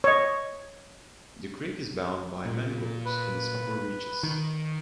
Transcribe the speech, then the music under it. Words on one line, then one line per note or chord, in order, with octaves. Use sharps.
The creek is bound by mangroves in its upper reaches.
C#5 D#5
A#2
B4
D#3